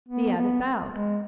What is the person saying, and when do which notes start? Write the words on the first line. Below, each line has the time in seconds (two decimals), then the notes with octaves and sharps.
The Abbot bowed.
0.08 B3
0.36 B3
0.93 G#3